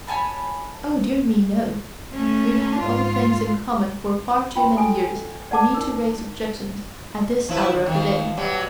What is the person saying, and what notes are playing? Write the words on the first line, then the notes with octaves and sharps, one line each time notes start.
"Oh, dear me, no! We've had all things in common for far too many years for me to raise objections at this hour of the day."
C#5 G#5 A5 B5
A3 C#4
G#2 F4
F4 G5 C6
A4 G#5
D5 F#5 A5 D6
D#4 A#4
F3 E4 B4
D3
D#3 F3
B2 F#3 G3